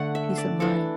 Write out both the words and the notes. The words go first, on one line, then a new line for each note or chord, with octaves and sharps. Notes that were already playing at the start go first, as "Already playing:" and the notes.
Peace of mind.
Already playing: D3 A3 D4 F#5
E5
D5
E3 D4 A4